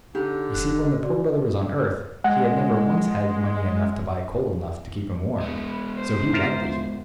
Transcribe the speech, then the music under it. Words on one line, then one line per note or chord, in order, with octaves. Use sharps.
You see when the Poor Brother was on earth he had never once had money enough to buy coal enough to keep him warm; so he liked the heat.
D3 D#4 G4
F1 F#6
D#5
C#3 F#4 D5
G#3 F#5
G#3 B3
B4
C5
F4 A#4 E5